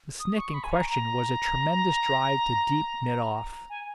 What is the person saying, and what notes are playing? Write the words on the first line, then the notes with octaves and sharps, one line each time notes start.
The "snick" in question was a tremendous drive to deep mid-off.
D#6
C#6
B5
G#5
A#5
A#5
G#5